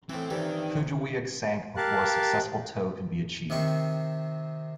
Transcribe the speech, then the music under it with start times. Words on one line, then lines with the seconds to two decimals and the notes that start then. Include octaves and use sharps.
"Kujawiak" sank before a successful tow could be achieved.
0.10 A2 E3 C4
0.30 G2 C3 D#3 E3
1.77 G4 A#4 F5 A5 F#6
3.50 C3 D#3 C4 C#6